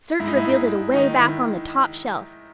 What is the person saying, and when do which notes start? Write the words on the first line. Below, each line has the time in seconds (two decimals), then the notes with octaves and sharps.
Search revealed it away back on the top shelf.
0.20 G#2 E4
0.28 D#4
0.37 E4
0.44 G#2
0.69 G#2
0.93 D#3 D#4
1.18 D#3 E4